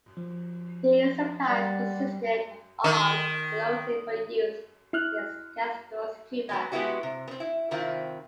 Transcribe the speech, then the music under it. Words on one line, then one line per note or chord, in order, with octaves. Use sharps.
These supplies consisted of arms and explosives for use against Castro's Cuba.
F3
G3 D5 F#5 A6
D#3
E4 F6 F#6
F#3 G#3 B3
G#3 B3 C#4 E4 F#4 G4
C3
B3 C4
E4
C3 D#3 C4 E4 F4